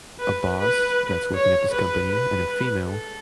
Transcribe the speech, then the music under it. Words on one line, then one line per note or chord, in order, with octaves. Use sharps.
a boss that's working at this company and a female
B4
B4
C#5
B4
B4
A4